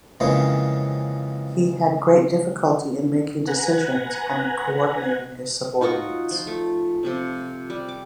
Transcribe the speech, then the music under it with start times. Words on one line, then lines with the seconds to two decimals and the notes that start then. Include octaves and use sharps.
He had great difficulty in making decisions, and in coordinating his subordinates.
0.20 F2 C#3 E3 G#3 A#3 C#4
3.47 B4 F#5 G#5 A#5
5.81 D#4 F4 F#4 C#6
6.31 F3
6.47 A3
7.03 C3 F3 C4
7.70 G3
7.88 D6